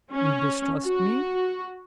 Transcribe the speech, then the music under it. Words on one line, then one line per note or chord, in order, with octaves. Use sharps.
You distrust me?
C#4
F#4